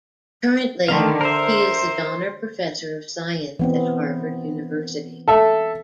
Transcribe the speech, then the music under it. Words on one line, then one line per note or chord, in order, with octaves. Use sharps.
Currently, he is the Donner Professor of Science at Harvard University.
D3 D#3 A3 F5
A#4 C5 E5
E3 B3 C4
A4 E5